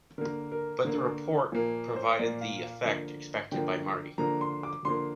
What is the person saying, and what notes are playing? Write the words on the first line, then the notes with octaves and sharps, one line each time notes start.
But the report provided the effect expected from Marty.
D3 A#3 A#4
A#4
D3 A#3
A#2 F3 A#3
C5
A#2 F3 A#3 D5
F5
F5
D3 F3 A#3
D3 F3 A#3 G5
D3 F3 A#3 A#5
C6
D6
D3 F3 A#3 C6